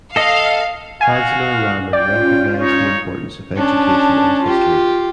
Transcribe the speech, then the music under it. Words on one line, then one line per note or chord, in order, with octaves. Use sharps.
Fazlur Rahman recognised the importance of education and history.
A4 D#5 F5
F#4 F5 G#5
C#4 F4 D5 G5
D#4 C#5
C#4 D4 A5
F4 G4